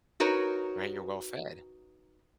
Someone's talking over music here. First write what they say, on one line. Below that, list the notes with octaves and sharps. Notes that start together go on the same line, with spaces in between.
right? You're well fed.
D#4 F#4 A#4 B4 C#5